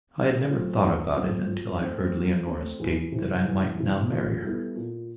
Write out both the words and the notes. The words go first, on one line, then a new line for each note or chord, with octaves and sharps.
I had never thought about it until I heard Leonora state that I might now marry her.
D#3
F#3 A3 C4 F4
D#3
F#3 A3 C4 F4
F3
A3 C4
F3
A3 C4
E2
C3 E3
E2
C3 E3
A#2
G3 B3 E4 A4
A#2